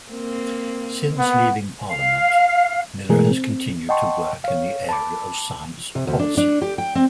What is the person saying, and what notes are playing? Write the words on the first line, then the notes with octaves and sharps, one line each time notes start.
Since leaving Parliament Miller has continued to work in the area of science policy.
A#3 C4
B3 F#5
F5
B2 E3 G#3 A3 G#4 A#4
C4
D#5 F#5 G5 A5 C6 C#6
C#5 F5
A5 B5 D6
C3
D2
D4
D4
G4
G5
C4